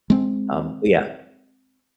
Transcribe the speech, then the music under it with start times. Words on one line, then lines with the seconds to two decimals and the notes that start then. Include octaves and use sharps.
um, but yeah,
0.10 G#3 C4